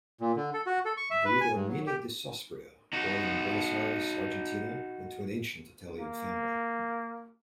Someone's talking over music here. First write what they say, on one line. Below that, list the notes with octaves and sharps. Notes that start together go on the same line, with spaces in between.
Guido Mina di Sosprio born in Buenos Aires, Argentina, into an ancient Italian family.
A#2
D3
A4
F#4
A4
C#6
E5
B4
G#5
G2
F#3
G4
D#4 F#4
A#3